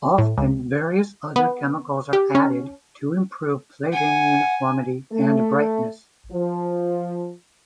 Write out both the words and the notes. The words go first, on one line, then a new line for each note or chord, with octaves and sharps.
Often various other chemicals are added to improve plating uniformity and brightness.
A2
C#2
B3
G4
C#4
F#5 G#5
A3
F3